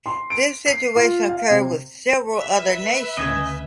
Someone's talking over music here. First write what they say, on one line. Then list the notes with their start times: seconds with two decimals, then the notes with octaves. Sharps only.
This situation occurred with several other nations.
0.06 C6
0.30 D7
0.66 C7
0.95 F4
1.29 F5
1.50 C3
2.36 B4 E5
3.17 D2 C#3 D#5 G#5